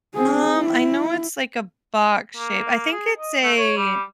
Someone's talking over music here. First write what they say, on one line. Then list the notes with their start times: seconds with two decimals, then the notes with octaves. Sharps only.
Um, I know it's like a box shape. I think it's a
0.15 C4 G#4
0.57 E4
2.36 A#3
2.92 G#4
3.18 D#5
3.43 A3
3.57 C#5
3.77 G3